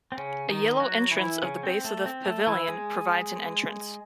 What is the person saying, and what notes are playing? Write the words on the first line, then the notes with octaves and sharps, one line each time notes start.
A yellow entrance at the base of the pavilion provides an entrance.
C4
C#3 C#4
D#3 D#4
F#3 F#4
E3 E4
C#3 C#4
C4
A3
C4
A3
E3 E4
G#3 G#4